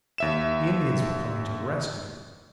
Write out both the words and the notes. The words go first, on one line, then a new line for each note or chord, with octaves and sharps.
The Indians were coming to the rescue!
D#2 E5 E7